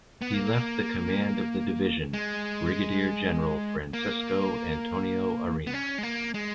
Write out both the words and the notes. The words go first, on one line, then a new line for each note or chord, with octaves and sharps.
He left the command of the division Brigadier General Francesco Antonio Arena.
B3
A#3
G#3
A#3
B3
C#4
G#3
A#3
G#3